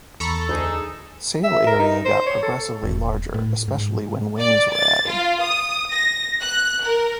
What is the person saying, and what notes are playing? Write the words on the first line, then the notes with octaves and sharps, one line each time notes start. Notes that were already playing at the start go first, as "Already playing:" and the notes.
Sail area got progressively larger especially when wings were added.
E2 A4 A#5 B5 C#6
D2 D#4 G#4
E5
A#4
D#4
C5
C#5
A4
E1
A2
G#2
D5
A6
F4
D#6
A#6
F#6
A#4